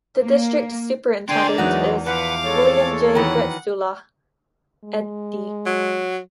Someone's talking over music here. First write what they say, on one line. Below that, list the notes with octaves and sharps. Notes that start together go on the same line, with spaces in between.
The district Superintendent is William J. Gretzula, Ed.D.
A#3
D3 D4 A#4 D5 G5 G#5 C6
E2 E3 F#3 G#3 D#4 F#4
F3 B4 F5 F#5 D6
G#3 A4 C#5
D#3 E3 F#3 F#5
G#3
F#3